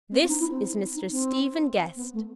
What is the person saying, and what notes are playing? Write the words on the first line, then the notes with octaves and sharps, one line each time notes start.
"This is Mr. Stephen Guest."
C4
C4
D#4
E4
C4
D#4
C4
B3
A3